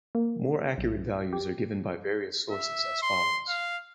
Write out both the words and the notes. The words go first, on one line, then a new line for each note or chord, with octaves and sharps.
More accurate values are given by various sources as follows.
A#3
B1
G4
E5
C6
F5